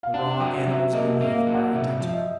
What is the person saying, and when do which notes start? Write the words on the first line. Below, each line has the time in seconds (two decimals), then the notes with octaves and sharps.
The raw animals beneath are identical.
0.03 F5
0.14 D4 F#5
0.34 F#5
0.40 F#3
0.55 E5
0.68 F#3
0.74 E5
0.93 A#3 D#5
1.14 E5
1.21 A#3
1.34 F5
1.47 F#3
1.54 F#5
1.73 C3 E5
2.01 F3
2.09 E5
2.13 D#5